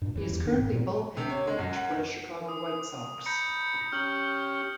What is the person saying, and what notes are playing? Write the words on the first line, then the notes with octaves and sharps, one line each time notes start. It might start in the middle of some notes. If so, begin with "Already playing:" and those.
He is currently bullpen coach for the Chicago White Sox.
G2 A#2
D1 F#2 E3
E2
F1 D#3 D4
F2 G#2
A#2
C3
C#5
G#3
F#2
F#5
D#3
D#6
A#5 B5 G6 C#7
C#4 G4 F6 F#7